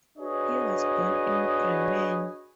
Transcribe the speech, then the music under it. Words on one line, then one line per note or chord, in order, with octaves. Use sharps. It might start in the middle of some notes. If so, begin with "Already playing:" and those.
He was born in Bremen.
D4 F#4 G#4 B4 C#5 D#5